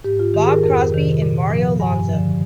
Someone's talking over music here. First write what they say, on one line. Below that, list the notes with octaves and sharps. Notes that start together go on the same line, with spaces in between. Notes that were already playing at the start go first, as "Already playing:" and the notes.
Bob Crosby and Mario Lanza.
G#2 G4
F4
D#3 G4
G#4
A#4
F2 A#4
C3 D#3
A#2
F3
G2 G#5
D3 F3